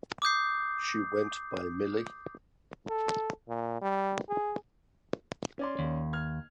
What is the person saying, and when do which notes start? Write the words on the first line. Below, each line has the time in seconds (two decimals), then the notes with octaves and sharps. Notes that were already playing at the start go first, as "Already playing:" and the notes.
She went by Millie.
0.22 D6 D#6 G6 C7
2.89 A4
3.48 A#2
3.81 G3
4.29 G#4
5.59 C#4 D5 C6
5.79 D#2
6.13 F6 G#6